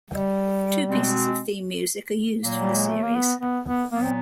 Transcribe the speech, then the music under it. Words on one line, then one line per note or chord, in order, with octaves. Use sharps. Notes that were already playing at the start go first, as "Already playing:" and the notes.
Two pieces of theme music are used for the series.
G3
B2 G#3 C4
A#2 F#3 A#3
G3
G#3
A3
A#3
B3
B3
B3
A#2 F#3 A#3 B3
C4